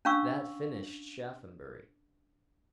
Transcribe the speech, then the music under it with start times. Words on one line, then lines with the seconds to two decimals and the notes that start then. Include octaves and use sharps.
That finished Shaphambury.
0.05 C#4 D4 F5 C#6 E6